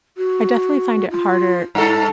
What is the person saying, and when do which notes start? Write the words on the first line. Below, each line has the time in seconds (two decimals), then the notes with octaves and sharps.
I definitely find it harder
0.17 F#4
1.10 F4
1.75 G2 E4 A4